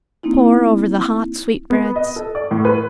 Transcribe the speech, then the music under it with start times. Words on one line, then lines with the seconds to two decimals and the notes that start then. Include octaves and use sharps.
Pour over the hot sweetbreads.
0.23 A#3 C4 D#4 E4
1.70 B3
1.96 D#5
2.16 A4
2.35 D5
2.51 A2
2.65 B4